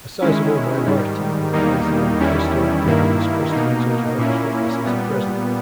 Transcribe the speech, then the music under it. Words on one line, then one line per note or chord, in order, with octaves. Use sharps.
A sizeable minority of Iglesia ni Cristo, Methodist Christians, and Jehovah's Witnesses are present.
D#3 G#3 C#4 E4
G#2 D#3 G3
E2 D#3 G3 A#3 D#4
E2 D#3 G3 C#4 E4
G2 D#3 A#3 E4
B2 A#3 D#4
A#2 A#3 C#4 E4
A#2 G3 B3